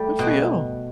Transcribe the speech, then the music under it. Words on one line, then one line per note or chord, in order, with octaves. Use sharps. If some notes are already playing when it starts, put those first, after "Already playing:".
Good for you.
Already playing: G3 A3
B2